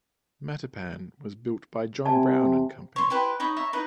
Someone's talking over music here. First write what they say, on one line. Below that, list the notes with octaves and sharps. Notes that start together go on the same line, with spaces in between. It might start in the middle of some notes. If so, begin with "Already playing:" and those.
"Matapan" was built by John Brown and Company.
C3 D5 G#5 A5
C#5 C6
E4 G4 B4 C5
D#4 C#5 B5 D#6
C#5 E5 A#5
D#4 E4 B4